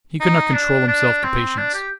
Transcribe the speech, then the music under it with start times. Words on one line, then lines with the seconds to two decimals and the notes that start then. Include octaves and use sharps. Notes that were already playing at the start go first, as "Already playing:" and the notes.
He could not control himself to patience.
0.21 D#4
0.54 D4
0.88 D4
1.23 C4
1.58 D4
1.74 G4